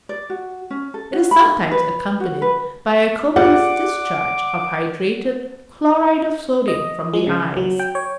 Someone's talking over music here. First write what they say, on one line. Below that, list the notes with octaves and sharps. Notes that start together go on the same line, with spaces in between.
It is sometimes accompanied by a copious discharge of hydrated chloride of sodium from the eyes.
D5
F#4
C#4
A4
F#4
B5
D#4
B4
F#4
B4
F4 G4 G#4 D5 F#5 D6
D#5
G#3
C#3
F#3
G5
C#5